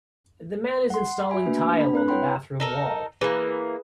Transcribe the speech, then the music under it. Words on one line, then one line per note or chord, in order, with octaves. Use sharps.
The man is installing tile on the bathroom wall.
F#5 C6
F#4 E5 G#5 B5
A3 A#3 D4 B4
D4 B5
C4 B4 F#6
E4 C#5 F#5 G5 B5 C6
D#4 A4 A#4
E3 A#3 G#4 B4